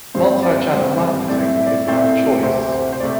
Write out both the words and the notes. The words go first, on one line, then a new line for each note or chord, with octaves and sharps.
Multichannel marketing is about choice.
G2 G3 C4 C5
D5
G2 G3 C4 C5
A2 A3 C4 D5
E5
D5
A2 A3 C4 D5
A4
G4
D2 C3 A3 C5
C5
C5
C3 A3 D5